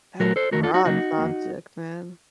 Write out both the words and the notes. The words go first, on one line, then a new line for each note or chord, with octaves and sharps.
That's a broad subject, man.
A#2 F#3 A3 F#4 A#4
A4 C5
F2 D#3 A3 F#4 A#4
F4 A4
D#4 F#4
C#2 C#3 F#3 A#3 D#4 F#4
F2 D#3 A#3